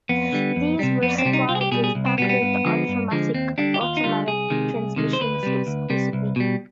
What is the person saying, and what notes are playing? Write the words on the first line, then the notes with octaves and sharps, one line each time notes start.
These were supplied with Packard "Ultramatic" automatic transmissions - exclusively.
F2 B3
D3 G3
F2
C3 G3
F2 B3
C4
C3 G3
D#4
C2 F4
G#4
G4
B2 G3 G#4
G#4
C2
C4
B2 G3 B3
B3
G2
D3 F3 G#3
G2
D3 F3 G#3
D#2 C4
D3 G3 D4
G4
D#2 F4
D#4
D3 G3 F4
C2 G#4
C3 D#3 G#3
C2
C3 D#3 G#3
C5
D2 B4
C3 G3
D2
C3 G3
C2
B2 G3